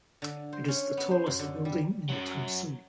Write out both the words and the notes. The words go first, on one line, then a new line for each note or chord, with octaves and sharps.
It is the tallest building in Tamsui.
D3
C5
C#4
B3
C5
F#2
D3
G3
F#2 F#3